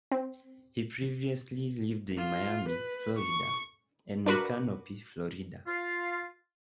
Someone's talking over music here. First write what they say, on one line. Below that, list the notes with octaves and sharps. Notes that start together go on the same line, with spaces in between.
He previously lived in Miami, Florida and Micanopy, Florida.
C4
F4
B4
C#6
D4 F#4 A#4 B4 B5 D6
F4